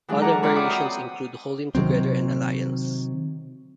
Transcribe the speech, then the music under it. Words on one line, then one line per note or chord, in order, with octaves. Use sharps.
Other variations include "holding together" and "alliance".
E3 F#3 G#3 D4 G#4 E5
F4 A4 C#5 D5 F#5 A#5
C4 F4 C#5 D5 A#5 B5
A4 E5 F#5 D6 D#6
F#4 C5 A#5 D#6 E6
C3 D#3 F#3 C4